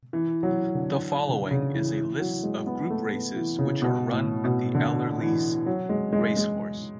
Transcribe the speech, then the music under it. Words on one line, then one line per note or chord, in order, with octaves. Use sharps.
The following is a list of Group races which are run at Ellerslie Racecourse.
E3
F#3
D3
D3
C#3
E3
E3
F#3
G#3
B3
A3
B3
E3
C#3
B2
A2
B2
D3
E3
F#3
G#3
G#3
G#3